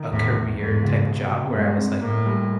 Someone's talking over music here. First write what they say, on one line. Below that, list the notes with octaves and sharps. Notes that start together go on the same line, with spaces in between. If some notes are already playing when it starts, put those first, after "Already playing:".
a career-type job where I was like,
Already playing: D#3
E2 A2
E2
E2 G#2
C#3
B2
B2
G2 G#3
C4
A2 A#3
G3